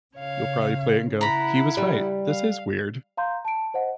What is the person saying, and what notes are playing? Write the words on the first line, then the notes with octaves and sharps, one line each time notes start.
you'll probably play it and go, "He was right, this is weird."
C#3 C#5 F5
E4 F#5 A#5 B5
G3
F5
F5 A#5 C6 G6
A5 D7
C5 D#5 F#5